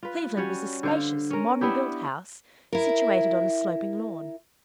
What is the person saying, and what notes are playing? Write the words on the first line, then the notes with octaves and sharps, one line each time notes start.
Cleveland was a spacious, modern-built house, situated on a sloping lawn.
F4 B4
G3 C#4 F#4 C#5
D3 C5 F5
C#4 A#4
B3 D4 E4 G4
E4 A#4